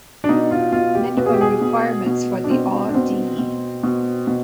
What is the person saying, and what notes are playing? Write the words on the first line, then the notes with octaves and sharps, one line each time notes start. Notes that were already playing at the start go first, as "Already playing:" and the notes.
Minimum requirements for the Au.D.
D4
B2 D#4
F4
B2 F4
G4
B2 B4
G#4
G4
G#4
B2
B2
D4
B2 C4
D4
B2 C4
B2
B2
B2